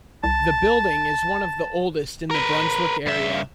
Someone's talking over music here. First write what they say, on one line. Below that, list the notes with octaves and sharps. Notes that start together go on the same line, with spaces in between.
The building is one of the oldest in the Brunswick area.
C2 A5
A#4 B4
G2 E5